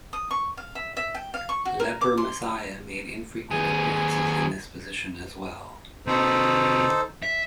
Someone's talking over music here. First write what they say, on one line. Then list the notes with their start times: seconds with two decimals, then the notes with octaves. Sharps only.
"Leper Messiah" made infrequent appearances in this position as well.
0.13 D#6
0.31 C#6
0.57 F5
0.75 E5
0.97 E5
1.15 G5
1.34 F5
1.49 C#6
1.65 F#4
1.80 A#4
2.01 D6
2.17 C6
3.50 D#2 G#4
6.07 C3 D#4 F#4 A4 C5
7.22 E5